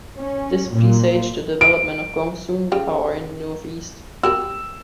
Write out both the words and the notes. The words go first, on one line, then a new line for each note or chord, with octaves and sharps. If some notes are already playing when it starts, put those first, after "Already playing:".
This presaged the development of Gongsun power in the northeast.
C#4
A#2
D7
C#3 G4
F#4 G4 A#4 E6